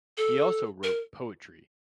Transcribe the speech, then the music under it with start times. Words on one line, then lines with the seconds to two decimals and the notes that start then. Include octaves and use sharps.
He also wrote poetry.
0.17 A4
0.84 A#4